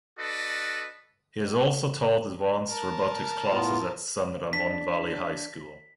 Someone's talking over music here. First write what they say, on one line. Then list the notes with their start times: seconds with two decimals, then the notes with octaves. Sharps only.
He has also taught advanced robotics classes at San Ramon Valley High School.
0.18 D4 F#4 A4 B4 D5 D#5
2.69 A#4 A5
3.51 A2 B3 F4
4.53 D4 B6